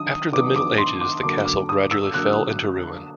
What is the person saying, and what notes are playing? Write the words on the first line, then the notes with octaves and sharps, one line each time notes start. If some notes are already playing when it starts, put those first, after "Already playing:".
After the Middle Ages, the castle gradually fell into ruin.
Already playing: D#3 F#3 D4 D#6
D#3 F#3 B3 D4 D6
D6
C6
D6
D3 F#3 A#3 D6
D6
D#6
E6
D3 F#3 A#3 F#6